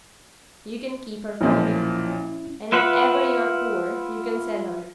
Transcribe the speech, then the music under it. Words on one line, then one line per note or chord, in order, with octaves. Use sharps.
You can keep her for me, and if ever you're poor you can sell her.
B1 A#2 F3 C#4 E4
E4 F4 B4 F#5 B5